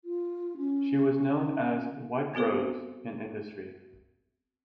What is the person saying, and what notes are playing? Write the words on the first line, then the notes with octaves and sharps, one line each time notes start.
She was known as "White Rose" in industry.
F4
C#4
B3 C4 F#4 A4 C5